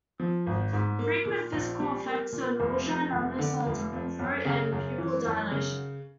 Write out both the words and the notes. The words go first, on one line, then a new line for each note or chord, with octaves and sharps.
Frequent physical effects are nausea, numbness of the tongue or throat, and pupil dilation.
F3
G#1
G#2
A#3
A#2
A#1
G3
A#3
A#2
F1
F2
F1
D3
F1
F2
F#2
C#3
F#2
E3
F#2
C#3